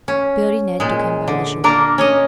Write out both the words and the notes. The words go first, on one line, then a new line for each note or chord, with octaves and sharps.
Beardy Ned took him by the shoulder.
C#4
A#2 G#3
D3
A#3 D4 A#4
C#4 C#5 D#5